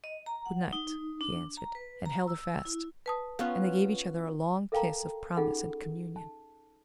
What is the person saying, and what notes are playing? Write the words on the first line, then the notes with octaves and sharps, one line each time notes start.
"Good night," he answered, and held her fast; and they gave each other a long kiss of promise and communion.
D#5
A#5
F#5
D#4
D4
A#5
B4
A#5
E6
E4
B4 A5 D#6
B3 C#4 F4 F5
A4 A#4 F5 G5 A5 A#5
C#4 D#4 F4 G#4 A4 F#5
A5